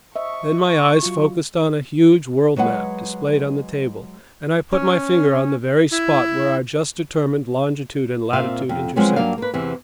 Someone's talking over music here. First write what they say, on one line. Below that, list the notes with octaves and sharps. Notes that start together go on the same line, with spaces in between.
Then my eyes focused on a huge world map displayed on the table, and I put my finger on the very spot where our just-determined longitude and latitude intersected.
C5 D#5 E5 C#6
C#6
F#3 F4
F#3 G#3 B4 F#5
C#4
E4
A#2 C4 E5 F5
F2 D3
F3 F#3 G#3 B3 C4 F#4
G2 F#3 A#3 D4 F5
A#3 B4
E2 C3 E3